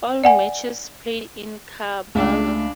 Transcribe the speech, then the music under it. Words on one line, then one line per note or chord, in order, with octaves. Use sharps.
All matches played in Karbala.
D5 F#5 G#5
C#2 A3 D4